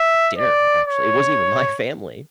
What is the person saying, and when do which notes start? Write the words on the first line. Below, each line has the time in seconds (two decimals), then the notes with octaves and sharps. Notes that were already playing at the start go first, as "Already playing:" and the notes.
dinner, actually. It wasn't even my family,
Already playing: E5
0.38 D5
0.88 C#5